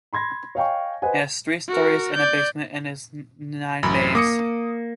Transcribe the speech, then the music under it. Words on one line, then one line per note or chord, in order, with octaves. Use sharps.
It has three storeys and a basement, and is in nine bays.
B5 C6 G#6 A#6
C#5 D#5 F5 G5 G#5 C#6
B4 C5 D#5 F#5 G#5
F#4 A#4
D5 G6
A1 F#2 B5
A#3 D6 D#6 C#7